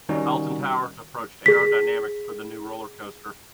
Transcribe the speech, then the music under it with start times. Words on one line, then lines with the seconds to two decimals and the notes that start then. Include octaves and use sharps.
Alton Towers approached Arrow Dynamics for the new roller coaster.
0.09 D#3 G3 C#4 D#4 F#4
1.46 G#4 B6